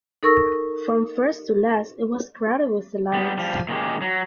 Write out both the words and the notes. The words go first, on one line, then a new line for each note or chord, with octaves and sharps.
From first to last it was crowded with delights.
D#4 A4 A#4 C#6 E6 A#6
G3 B3
F3 G3
A#2 D#3 G#3 A#3 C#4 G4
F#3